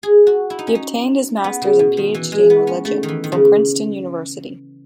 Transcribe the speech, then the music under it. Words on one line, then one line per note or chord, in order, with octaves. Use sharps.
He obtained his master's and Ph.D in religion, from Princeton University.
G#4
F#4
E4
D#4
C#4
D#4
B3
C#3
B2
D#3
E3
G#3
B3
C#4
A3
D#3
E3
D#3
C#3